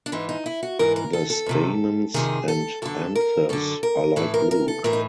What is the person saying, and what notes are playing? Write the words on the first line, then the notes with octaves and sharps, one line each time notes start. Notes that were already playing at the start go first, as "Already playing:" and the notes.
The stamens and anthers are light blue.
D4
G#2 E3 D#4
D#4
E4
F#4
G#2 E3 A#4
A#4
A4
A4
F2 C3 D#3
F2 C3 D#3 G#4
A4
F#2 D3 A4
A#4
F#2 D3 A4
A#4
A2 E3 A4
A#4
A#4
A4
A2 E3 A#4
D#4